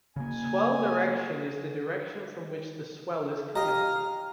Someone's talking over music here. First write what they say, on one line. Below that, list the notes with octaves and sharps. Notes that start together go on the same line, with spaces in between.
Swell direction is the direction from which the swell is coming.
C#3 A#3 G#5
G4 D#5 F5 A#5